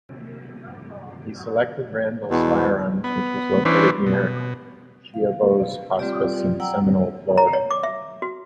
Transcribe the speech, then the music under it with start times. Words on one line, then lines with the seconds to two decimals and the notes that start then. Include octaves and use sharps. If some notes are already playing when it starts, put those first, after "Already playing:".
He selected Randall's Firearms, which was located near Schiavo's hospice in Seminole, Florida.
2.31 E2 B2
3.04 B3
3.65 E3 C#4 D4 B4 C5
4.06 B2
5.14 F5
5.99 G3 C4 F4 G4 D5
6.60 F#3 D5 F#5 G5 A#5 E6
7.38 A#5
7.53 C#5
7.71 D6
7.83 E5
8.22 F#4